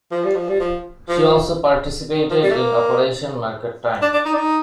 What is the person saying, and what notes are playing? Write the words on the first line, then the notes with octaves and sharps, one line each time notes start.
She also participated in Operation Market Time.
F3
G3
F3
G3
F3
F3
D#3
F3
G3
A3
A#3
D4
D4
D#4
D4
D#4